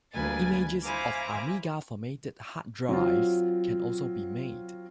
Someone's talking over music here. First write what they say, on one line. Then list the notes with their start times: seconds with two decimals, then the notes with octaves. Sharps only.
Images of Amiga formatted hard drives can also be made.
0.12 D2 G3 A#3 B4 G#5 A6
0.83 E4 C5 F5 G#5 A#5 D6
2.89 F#3 C4 F4